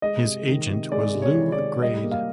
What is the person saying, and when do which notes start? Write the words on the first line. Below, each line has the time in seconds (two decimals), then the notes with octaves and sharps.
His agent was Lew Grade.
0.02 G#3 D#5
0.25 C3
0.47 D#3
0.70 C3
0.92 G#3 D5
1.15 C3
1.22 C#5
1.37 D#3
1.52 D5
1.59 C3
1.82 G3 D#5
2.04 A#3
2.12 F5